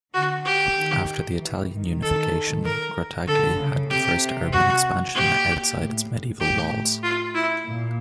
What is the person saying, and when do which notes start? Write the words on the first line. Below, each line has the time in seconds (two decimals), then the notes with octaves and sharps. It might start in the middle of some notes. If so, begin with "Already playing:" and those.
After the Italian unification Grottaglie had the first urban expansion outside its Medieval walls.
0.14 D3 F#4
0.45 G4
0.77 D#3
1.39 E3
1.71 D#3
2.02 A4
2.65 A#4
3.27 D3 A4
3.59 C#3
3.90 C3 G4
4.52 F#4
5.15 A#2 G4
5.77 A2
6.40 A2 G4
7.03 F4
7.35 E4
7.65 A#2